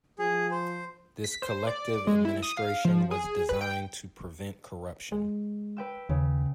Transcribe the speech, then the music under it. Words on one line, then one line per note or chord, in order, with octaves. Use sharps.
This collective administration was designed to prevent corruption.
F3 G#4
C5
B6
C5
D5
G#3
E4
D#6
F5
F3
G#4
B4
G5
G#3
B4 G5 E6
D#2 C#3